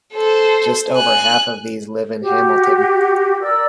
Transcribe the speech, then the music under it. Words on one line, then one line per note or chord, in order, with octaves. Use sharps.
Just over half of these live in Hamilton.
A4 C5
G#5 F#6
F#4 G4
A#4 D5 E6